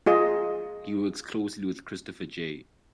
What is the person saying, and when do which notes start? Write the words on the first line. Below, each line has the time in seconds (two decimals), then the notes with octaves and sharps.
He works closely with Christopher J.
0.06 F4 G#4 D#5